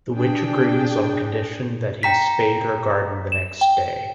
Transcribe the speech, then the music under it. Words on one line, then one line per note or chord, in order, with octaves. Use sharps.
The witch agrees on condition that he spade her garden the next day.
D4 G#4 G5
G5 A#5 B6
E7
G5